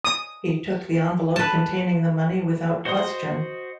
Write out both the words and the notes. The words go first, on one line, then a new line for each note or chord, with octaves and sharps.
He took the envelope containing the money without question.
D#6
B4 A5
F#4 C5 D#5 C6 D#6